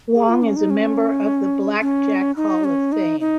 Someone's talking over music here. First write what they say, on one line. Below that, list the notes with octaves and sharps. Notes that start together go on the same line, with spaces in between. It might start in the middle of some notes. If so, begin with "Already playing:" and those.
Wong is a member of the Blackjack Hall of Fame.
G#4
F4
C#4
D#4
C#4
C#4
D#4
C#4
D#4
D#4